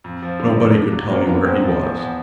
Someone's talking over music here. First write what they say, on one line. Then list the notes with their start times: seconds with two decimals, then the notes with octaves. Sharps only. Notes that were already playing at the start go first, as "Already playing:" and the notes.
Nobody could tell me where he was.
0.04 F2
0.23 F3
0.40 D3
0.57 F2
0.75 D4
0.92 F#3
1.10 F#3 A#3 C4
1.27 A#3 B3 C#4
1.45 E2 A#3 C4
1.63 F3
1.80 E2
1.98 E2